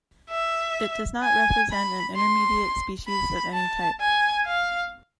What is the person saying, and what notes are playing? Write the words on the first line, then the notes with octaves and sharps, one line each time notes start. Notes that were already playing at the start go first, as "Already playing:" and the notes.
It does not represent an intermediate species of any type.
E5
G#5
B5
C6
B5
A5
G#5
F5